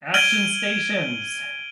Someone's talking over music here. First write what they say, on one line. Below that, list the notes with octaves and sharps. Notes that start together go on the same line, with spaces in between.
Action Stations!
F6 G#6 D7 D#7 F#7 G7